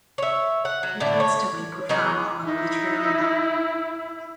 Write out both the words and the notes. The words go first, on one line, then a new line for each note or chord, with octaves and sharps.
It instantly put Farmer on the literary map.
C#5 E5
F#5
F#3
A2 D3 D4 E5
C#5
F#3 B3 D#4 G#4
D#4 E4